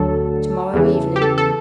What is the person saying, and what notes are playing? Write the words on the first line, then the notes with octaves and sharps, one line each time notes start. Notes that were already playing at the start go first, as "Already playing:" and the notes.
"To-morrow evening."
Already playing: D2 D3 F#3 A4
E2 C#3 E3
G4
A4
A4